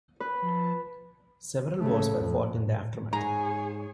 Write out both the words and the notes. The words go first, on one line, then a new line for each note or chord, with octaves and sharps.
Several wars were fought in the aftermath.
B4
F3 A5
C#3 A3
F2
G#2 G#4 C#5 G#5 A#5